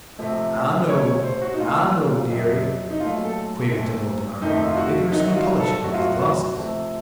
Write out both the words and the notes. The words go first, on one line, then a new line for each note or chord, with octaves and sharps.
"I know--I know, dearie," quavered the old man, vigorously polishing his glasses.
C3 F3 A3
A2 A3 C#5
C#5
C5
F#4
D#4
A#2 A3 F4
F2 C3 F#3
D#4
A#2 F#3 A3 F4
A4
A#2 A3
F2 C3 D#3 A3 D#4
F4
F#4
C3 D#3 F#3 D#4
F#4
F4
A4
F2 C3 F#3 A3 F#4
F4
F#4
C3 F3 A3